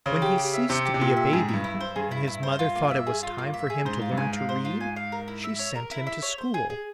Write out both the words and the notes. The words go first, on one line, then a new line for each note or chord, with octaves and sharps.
When he ceased to be a baby, and his mother thought it was time for him to learn to read, she sent him to school.
C#3 C5
G4
G4
E5
C3 C5
G4
C3
A#2 G4
E5
G#2 G#4
G2 E4
E4
G2
C5
G2 G#4
E4
E4
C5
F4
A#3
E5
G#4
F4
A#3
E5
G#4
G#2 C5
F4
G2
G#2 G#5
F5
C5
F4
G#5
F5
A#4
E4
E5
C#5
A#4
E4
E5
C#5
C5
G#4
G#4